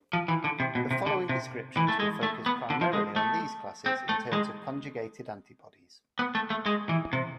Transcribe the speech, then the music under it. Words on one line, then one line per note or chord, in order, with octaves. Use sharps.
The following descriptions will focus primarily on these classes in terms of conjugated antibodies.
F3
E3
D3
C3
B2
C3
D3
C3
E3
A3
G#3
A3
B3
D3
F3
G#3
A3
C4
A3
G#3
B3
A3
A3
G#3
E3
C3